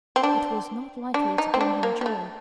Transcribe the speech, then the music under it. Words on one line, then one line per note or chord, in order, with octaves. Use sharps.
It was not likely to bring him joy.
C4
D4
D4
D#4
C4
D4
A#3
G3
A3